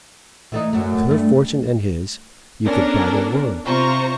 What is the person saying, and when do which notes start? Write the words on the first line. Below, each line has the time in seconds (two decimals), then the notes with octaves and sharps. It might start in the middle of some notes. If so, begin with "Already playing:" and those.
With her fortune and his--you could buy the world.
0.52 E3 A3 D#4
0.73 F#2 F#3 A3
1.08 G2 A3
2.64 B3 C#4 D4 A4 A#4
3.65 C3 F4 C5 A#5 C#6